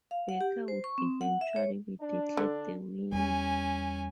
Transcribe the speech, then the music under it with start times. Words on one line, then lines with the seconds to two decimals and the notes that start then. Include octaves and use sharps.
Baker would eventually be declared the winner.
0.11 F5
0.29 F#5
0.41 G4
0.68 C5
0.84 C#6
0.98 C4
1.21 F#5
1.41 E5
1.56 C#5
2.01 D4
2.37 D3
3.12 E2 G3 C#4 G#5